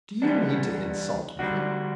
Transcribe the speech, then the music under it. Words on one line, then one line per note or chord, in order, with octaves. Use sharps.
"Do you mean to insult me?"
E3 G3 B3 D4
D3 G3 D4 F#4